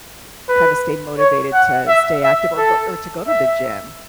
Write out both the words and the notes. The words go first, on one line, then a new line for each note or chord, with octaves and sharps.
kinda stay motivated to stay active or go or to go to the gym.
B4
C#5
F#5
E5
E5
A4
E5